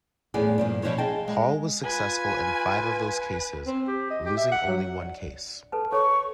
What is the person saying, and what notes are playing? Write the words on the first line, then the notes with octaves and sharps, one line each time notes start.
Hall was successful in five of those cases, losing only one case.
E2 A2 G3 B3 G#4 D5
G2 A#2 F3
B2 E3 F3 B3 C5 C#5
G#4 D#5 F5 G5 A5
G#3
F4 B4 G#5
C4
G4
D#5
G4
E5
F#5
F#3
D5
A4 B4 A5
A4 C#5 A#5 C#6